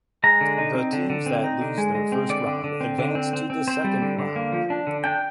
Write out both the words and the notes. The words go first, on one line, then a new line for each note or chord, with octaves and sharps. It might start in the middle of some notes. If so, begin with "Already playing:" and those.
The teams that lose their first round advance to the second round.
G#3 A#5
D3
D#4
C4
D3
D3
C4
D#4
D3
G#3
G#3
C4
D3 D5
D3
D3
C4
D3
C4
C4
C4
C4 C5
G3
D3
D3
A#3
F3
D4
D3
D4 G5